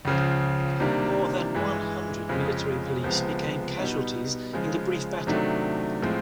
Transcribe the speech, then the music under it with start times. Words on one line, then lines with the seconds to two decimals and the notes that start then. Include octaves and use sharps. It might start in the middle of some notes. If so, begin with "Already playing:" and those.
More than one hundred military police became casualties in the brief battle.
0.05 C#2 C#3 F3
0.80 C3 D#3 G3 A#3 D4
1.54 G2 E3 G#3
2.29 F2 C#3 F3 G#3
3.03 C#2 C3 F3 G#3 B3
3.79 B2 G3 B3 D#4
4.53 C#3 F3 G#3
5.27 C3 D#3 F#3 A3 D4
6.02 A2 F3 G#3 C4